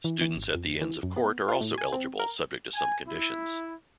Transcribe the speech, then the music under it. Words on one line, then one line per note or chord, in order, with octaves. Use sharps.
Students at the Inns of Court are also eligible subject to some conditions.
E3
E3
G#1
F2
E3
F#2
B3
F4
A2
G#5
C4
A#4
G#5
E4